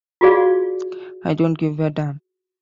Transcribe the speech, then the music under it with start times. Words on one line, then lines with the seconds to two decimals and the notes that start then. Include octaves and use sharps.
I don't give a damn.
0.21 F4 F#4 G#4 D5 F5